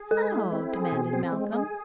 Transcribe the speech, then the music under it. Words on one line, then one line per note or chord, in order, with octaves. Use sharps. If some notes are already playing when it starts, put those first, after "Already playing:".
"How?" demanded Malcolm.
Already playing: G#4
G#3 A4
E4
C4
G#4
B2
C4
G#3
G#4